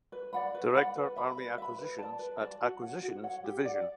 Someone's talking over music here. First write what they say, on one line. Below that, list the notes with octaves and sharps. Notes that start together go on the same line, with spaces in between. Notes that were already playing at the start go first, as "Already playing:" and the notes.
Director Army Acquisitions at Acquisitions Division.
B4
D5 F#5 B5
B4
D5 F#5 B5
B4
E5 B5
B4
E5 B5
B4
D5 A5
B4
D5 A5
F#4
C#5 F#5
F#4
C#5 F#5
G4
D5 F#5